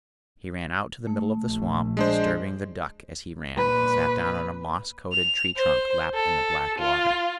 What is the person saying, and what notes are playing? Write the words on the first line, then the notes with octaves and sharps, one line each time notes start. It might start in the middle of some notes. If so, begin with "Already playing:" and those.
He ran out to the middle of the swamp, disturbing the duck as he ran, and sat down on a moss-coated tree-trunk lapped in the black water.
A3
A#1
G#3 D4 C5 D#5
A#2 B4
F7
C5
A4
F4